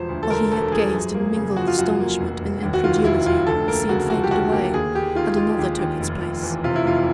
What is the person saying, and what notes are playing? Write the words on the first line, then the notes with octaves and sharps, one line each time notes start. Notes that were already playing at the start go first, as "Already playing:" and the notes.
While he yet gazed in mingled astonishment and incredulity, the scene faded away, and another took its place.
Already playing: E1 F3 C5
D2
A4
D3 A#4
E1 A4
F3 G#4
F#2
A#3
C#3
F3 F#4
F4
F#2 F#4
A#3
F1
F1
D#2
F#4
D#3 F4
F1 E4
F1 F4
D2 A4
A#3 A#4
C#3 F#4
F3 F#4
G4
D2 F#4
A#3 G4
D#2 G#4
D#2 G4
D#3 F4
G#3 F4
D#2
D#2
F1
F3
E2
C3 F4
E4
F1 F4